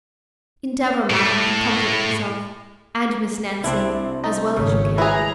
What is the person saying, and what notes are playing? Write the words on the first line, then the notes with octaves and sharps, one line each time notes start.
Endeavour, madam, to comfort yourself, and Miss Nancy, as well as you can.
A2 A3
C2 C4 D4 E4
D#4
G#1 C#3 C#5
E4 G#4 B4 A#5